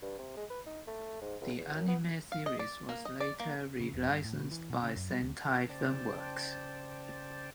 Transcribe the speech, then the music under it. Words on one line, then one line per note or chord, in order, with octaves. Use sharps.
The anime series was later re-licensed by Sentai Filmworks.
G2
C3
G#3
B4
D#4
A3
G#2
C#2
E2
F#2
B3
F5
D#5
D5
A#3
D#5
D5
A#3
C#3
E1
G2
A2
B2
E3
B2
C#3
F#2
G3
D2
C#3 C5 D5 G5 A5